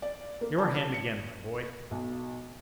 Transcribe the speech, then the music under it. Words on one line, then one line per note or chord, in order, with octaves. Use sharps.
Your hand, again my boy!
D5
A#3
A5
C#7
B1